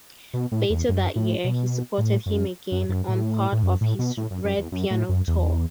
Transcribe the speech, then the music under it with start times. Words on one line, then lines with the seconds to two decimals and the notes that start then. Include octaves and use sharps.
Later that year, he supported him again on part of his Red Piano Tour.
0.33 B2
0.52 A2
0.70 E2
0.89 F#2
1.16 A2
1.44 B2
1.98 A2
2.26 F#2
2.72 F#2
2.89 F#2
3.08 A2
3.52 A2
3.63 F#2
3.81 A2
3.99 B2
4.17 A2
4.31 F#2
4.44 F#2
4.58 E2
4.72 F#2
4.90 A2
5.09 F#2
5.27 E2